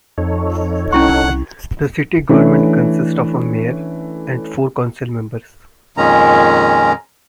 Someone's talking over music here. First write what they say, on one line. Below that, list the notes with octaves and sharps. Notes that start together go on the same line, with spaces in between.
The city government consists of a mayor and four council members.
F2 D#4 A4 C#5
C2 C#4 E4 F#5 C#6
E3 A3 C#4 D4 E4
F2 A#2 D#3 G#3 C#4 A#5